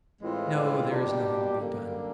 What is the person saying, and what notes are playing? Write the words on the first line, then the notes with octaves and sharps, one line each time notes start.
No, there is nothing to be done.
A2 E3 G#3 C4 F4
B2 G3 A#3 D4 G4
F#2 D3 G3 A#3 D4